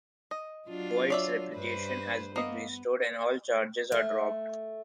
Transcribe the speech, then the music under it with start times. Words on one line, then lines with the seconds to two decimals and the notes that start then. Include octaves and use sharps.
Boyds reputation has been restored and all charges are dropped.
0.31 D#5
0.68 F#3 D4 F4
1.10 C#5 D5 E5
1.53 G2 B4 C5
2.36 A#3 B3 D#5
3.92 A3